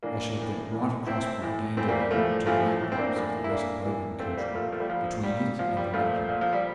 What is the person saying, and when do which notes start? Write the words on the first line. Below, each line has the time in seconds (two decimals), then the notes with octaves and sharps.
I shall get right across by Dandaloo to the back blocks of the West Bogan country, between it and the Lachlan.
0.03 A2 E3 A#3 D4
0.38 A2 E3
0.72 A2 E3
1.06 A2 E3 C4 E4
1.42 A2 E3
1.77 A2 E3 A3 C4
1.88 G3 A#3
1.99 G3
2.11 A2 E3 F3 A3
2.46 A2 E3 F3 A3
2.81 A2 E3
2.92 C4
2.98 A#3 D4
3.16 A2 E3
3.44 E4
3.50 A2 E3 A#3 D4
3.85 A2 E3
4.19 A#2 A3 C4
4.37 G3 A#3
4.54 A#2 F3 A3
4.72 F3 A3
4.80 G3
4.89 A#2 F3
5.23 A#2 G3
5.59 A#2 F3
5.77 G3
5.94 A#2 F3 A3
6.29 A#2
6.41 F3
6.53 G3